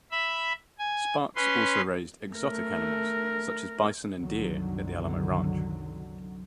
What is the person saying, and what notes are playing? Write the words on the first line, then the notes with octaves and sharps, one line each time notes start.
Sparks also raised "exotic" animals such as bison and deer at the Alamo Ranch.
E5 B5
G#5
C#4 B4 C6
A3 A#4
C2 F#2 D3 D#3 F#3